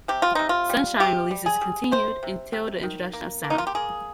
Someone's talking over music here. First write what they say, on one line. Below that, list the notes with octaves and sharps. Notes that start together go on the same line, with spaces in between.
Sunshine releases continued until the introduction of sound.
C3 G4
F4
C3 D#4
F4
G3
C3 G4
G3
G#4
G3
C3 C5
C3
C3
D#3
A#3
A#3
D#4
F4
G4
A#3 G#4